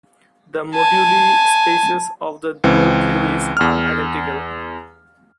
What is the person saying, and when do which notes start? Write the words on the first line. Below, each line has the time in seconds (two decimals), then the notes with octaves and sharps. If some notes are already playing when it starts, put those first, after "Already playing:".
The moduli spaces of the dual theories are identical.
0.75 G#5 A5
2.64 C#2 E3 C4
3.57 E2 F6